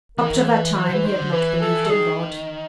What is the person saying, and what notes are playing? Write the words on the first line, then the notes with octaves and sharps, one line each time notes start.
Up to that time, he had not believed in God.
E3 A#4
D#3
E3
C5
B4
E3
C5
E3 B4
D#3 C5
D3
E3 B4
A4
A4
D#3 G#4